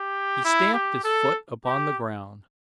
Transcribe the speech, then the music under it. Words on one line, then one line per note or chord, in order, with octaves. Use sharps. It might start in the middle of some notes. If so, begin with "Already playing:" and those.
He stamped his foot upon the ground.
Already playing: G4
E4
G4
A4
G4